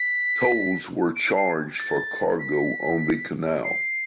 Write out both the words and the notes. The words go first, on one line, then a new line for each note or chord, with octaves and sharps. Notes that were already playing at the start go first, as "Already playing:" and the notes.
Tolls were charged for cargo on the canal.
Already playing: B6
D7
C7
A6
B6
C7